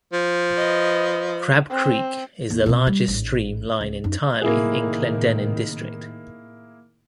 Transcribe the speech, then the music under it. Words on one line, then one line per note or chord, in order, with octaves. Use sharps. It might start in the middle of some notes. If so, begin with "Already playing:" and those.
Crab Creek is the largest stream lying entirely in Clendenin District.
F3
B4 D#5
C4
D#2
B2 C4
G3
A1 G#2
C#2
F#2 D#4
A2 C3 D#3 A#3 E4 G#4